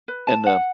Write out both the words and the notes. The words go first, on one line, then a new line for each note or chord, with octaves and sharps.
And, um,
B4
A5
F#5